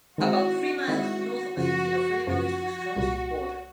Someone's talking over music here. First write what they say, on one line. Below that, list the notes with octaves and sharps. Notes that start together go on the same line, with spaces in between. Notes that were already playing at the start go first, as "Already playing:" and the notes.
About three miles north of the city is the Illinois - Wisconsin border.
D#3 G#3 C4 E4 F#4
D#3 G#3 C4 E4 F#4
F#2 C#3 F3 F#4
F#2 C#3 F3 F#4
C2 A#2 G3